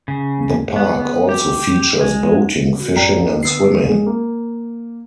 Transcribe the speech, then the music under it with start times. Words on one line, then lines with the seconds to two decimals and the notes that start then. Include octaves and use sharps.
The park also features boating, fishing, and swimming.
0.08 C#3
0.76 B3
1.29 G4
2.01 G#3
2.80 F#4
2.96 F#2 A2 D5 G5 A#5
3.22 D#2
3.43 D3 D#3 B3 D#6 E6 C7
3.85 G#3
4.06 A#3